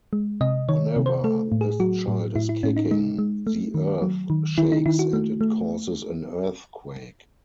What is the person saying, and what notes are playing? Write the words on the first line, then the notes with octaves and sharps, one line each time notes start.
Whenever this child is kicking the earth shakes and it causes an earthquake.
G#3
C3 D#5
D#3 C#5
C3
C5
A3 A4
A2
G#4
F#3 F#4
A2
A2 E4
E4
A2 C#4
D#4
G#3 D#4
G#3
A3
D#3
F#3
D#3
D#3 E4
D#4
D#3 E4
F#4
A3
A3